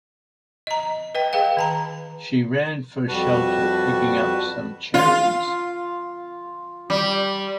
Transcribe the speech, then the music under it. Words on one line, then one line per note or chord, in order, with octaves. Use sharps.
She ran for shelter, picking up some cherries.
D#5 A#5
B4 D#5 G5
G#4 B4 F5 G5
D#3 A5 A#5
F2 G3 F#4 B4 A5
F4
G3